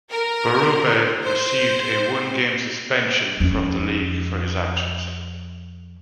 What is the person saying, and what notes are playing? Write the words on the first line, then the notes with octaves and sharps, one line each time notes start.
Berube received a one-game suspension from the league for his actions.
A#4
C5
F2 C#4